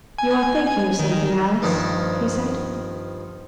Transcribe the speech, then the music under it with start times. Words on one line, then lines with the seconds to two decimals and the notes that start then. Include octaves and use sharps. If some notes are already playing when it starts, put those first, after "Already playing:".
"You are thinking of something, Alice," he said.
0.18 G#5
0.99 D#3
1.62 G2 D#3 F3